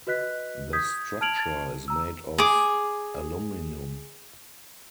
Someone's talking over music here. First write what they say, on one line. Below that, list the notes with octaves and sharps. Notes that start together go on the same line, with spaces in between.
The structure is made of aluminum.
F#4 B4 D#5 F#6 B6
D#6 G6 G#6 B6
A5 F6 G#6 D7 F7 F#7
A#5 E6
G#4 D6